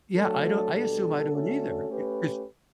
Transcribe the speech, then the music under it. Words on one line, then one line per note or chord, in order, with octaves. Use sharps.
Yeah, I don't I assume I don't either. It 'cause
F#3 A3 D4 A4
B2 G3 D4 A4
D3 A3 C#4 F#4 A4
A3 C#4 G4 B4